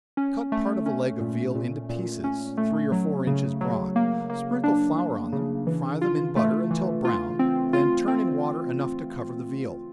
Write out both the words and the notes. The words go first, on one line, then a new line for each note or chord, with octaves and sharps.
Cut part of a leg of veal into pieces, three or four inches broad--sprinkle flour on them, fry them in butter until brown, then turn in water enough to cover the veal.
C#4
A3
C#4
A#2
A#2
A#2
C#4
A3
F#3
C#3
F#3
A#3
A#3
D4
D4
C#3
E3
F4
A3
E3
F4
C4
F4
C4